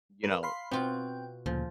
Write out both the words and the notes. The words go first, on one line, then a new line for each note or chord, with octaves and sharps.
you know,
A#4 B4
F5 B5 C6
B2 C4 F4 F#4 G5
D2 A#2 C#3 F3